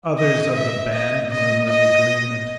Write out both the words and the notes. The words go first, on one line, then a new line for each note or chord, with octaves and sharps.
Others of the band murmured agreement.
D#5
E5
D#5
D#5
D#5